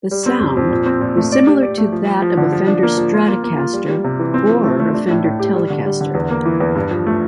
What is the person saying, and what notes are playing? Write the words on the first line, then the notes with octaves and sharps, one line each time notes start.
The sound was similar to that of a Fender Stratocaster or a Fender Telecaster.
G3
C4
F2
F2
A#2
C4
A#2
A3
D5
G4
D5
A3
F3
F3
F3
D3
F3
D4
A#3
F3
F4
A#3
A#3
F4
G3
G3
C3
E3
C4
F3
A3
A3
D4
A2
A2
G4
G3
D3
G3
D3
E2
A#3
E3
E2
G2
F3
A3